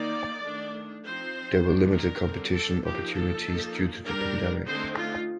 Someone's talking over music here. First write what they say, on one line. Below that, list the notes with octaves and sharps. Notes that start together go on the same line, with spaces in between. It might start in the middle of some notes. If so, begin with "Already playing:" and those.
There were limited competition opportunities due to the pandemic.
Already playing: D#3 A#3 D#4 D5
D#3 A3 D4
F3 C4 D#4 C5
D#3 A3 D4
A#4
D3 G3 C4
A4
F3 A#3 D#4 G4
A4
F3 A#3 D#4
G3 D4 A#4
D3 A3 C4 D#4 C5
F4